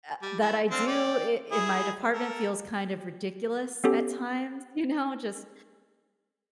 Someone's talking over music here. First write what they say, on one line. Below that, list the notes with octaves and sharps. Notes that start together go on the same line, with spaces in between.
uh, that I do i in my department feels kind of ridiculous at times, you know, just
G3
E4
C4 D4 F5
D5 G5
E4 G#4
A4 A#4
B3 C#4 G4 A4